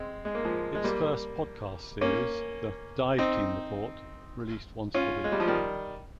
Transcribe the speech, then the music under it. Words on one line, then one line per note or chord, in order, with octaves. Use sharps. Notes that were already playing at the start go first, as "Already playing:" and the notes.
Its first podcast series, the "Dive Team Report", released once per week.
Already playing: G#3 C4
G#3
A#3
F3 G#3
G#3
G3 A#3
A#3 C#4
C4 D#4
C#4 F4
G#3
G3
F3
D#3 G3